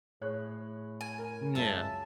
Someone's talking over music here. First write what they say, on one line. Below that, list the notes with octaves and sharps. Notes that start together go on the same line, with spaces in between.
Mm, yeah.
A2 G#4 C#5 F#6
G#5
A#4
C#2 F#2 E5 A5